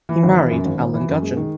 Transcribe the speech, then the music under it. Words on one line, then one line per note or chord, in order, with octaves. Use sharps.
He married Ellen Gudgeon.
E3
G#1
E3
F#2
G#1
G#1
E3
F#2
G#3
D#3